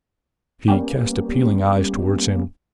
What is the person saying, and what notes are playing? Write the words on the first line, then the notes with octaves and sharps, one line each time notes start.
She cast appealing eyes toward him.
G3 A#3 B3 C#4 G4